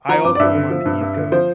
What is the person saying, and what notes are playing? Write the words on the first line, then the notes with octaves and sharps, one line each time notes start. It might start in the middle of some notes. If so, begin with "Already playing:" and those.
I also am on the East Coast, t
F3 A#5
G2 D6
D5
G2 E5
D3
F3
G2
G2
D3
F3 C5